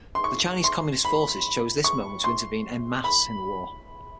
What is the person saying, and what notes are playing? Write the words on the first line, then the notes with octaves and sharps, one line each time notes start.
The Chinese Communist Forces choose this moment to intervene "en masse" in the war.
C6
C#6
C6
B5
C#6
C6
B5